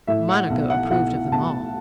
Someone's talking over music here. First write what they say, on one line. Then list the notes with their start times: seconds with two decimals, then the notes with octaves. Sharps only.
Monica approved of them all.
0.07 A2 E5
0.29 F#5
0.50 B1
0.70 F#5
0.90 B1 F#5
1.32 B1 A5